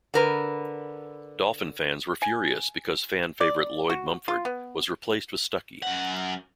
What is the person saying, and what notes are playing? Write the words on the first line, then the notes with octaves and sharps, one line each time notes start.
Dolphin fans were furious because fan favorite Lloyd Mumphord was replaced with Stuckey.
D3 A#4 B4
G#5
D5
F#4
F4
B3
F#2 F#5